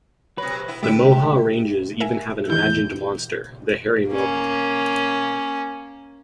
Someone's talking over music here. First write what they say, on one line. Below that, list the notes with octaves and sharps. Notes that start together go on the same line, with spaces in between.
The Moehau Ranges even have an imagined monster, the Hairy Moehau.
C3 F#3 B4
B3 E4
D3 G#3 A3 G4 E5
A#4 E5 G#5
E2 D#3 E3 E4 G6
A#3 C#4